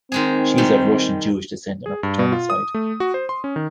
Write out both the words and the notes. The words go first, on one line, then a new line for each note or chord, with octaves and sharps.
She is of Russian Jewish descent on her paternal side.
D#3 G#3 C4 G#4
D#3 G3 G#3
G#4
G2
B2
F4
D#6
A3
F#4
C5
C6
C#4
D#3